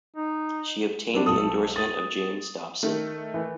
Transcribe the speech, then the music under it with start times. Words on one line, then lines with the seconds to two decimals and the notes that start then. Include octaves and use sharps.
She obtained the endorsement of James Dobson.
0.16 D#4
1.14 F#3 G3 D4
1.26 B1 A4 D#6
1.76 D#6 A6 D#7
2.83 D#3 A3
3.34 E3